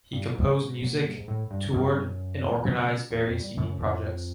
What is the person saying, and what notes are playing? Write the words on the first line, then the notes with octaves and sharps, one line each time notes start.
He composed music, toured and organized various unique projects.
G2
G#2
F2 B2 F#3 A#3
F#2
G2
G#2
A2
G2
F#2 B2 G3 C4
G2
F#2
E2
F2 C3 F3 A3 C#4
E2
F2
G2
F#2 C#3 F3 A3
F2